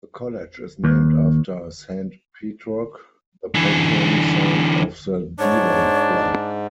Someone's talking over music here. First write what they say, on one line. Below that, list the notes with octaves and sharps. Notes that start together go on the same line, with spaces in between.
The college is named after Saint Petroc, the patron saint of the Devon flag.
D#2
D3 E3
G#2 D4 C#5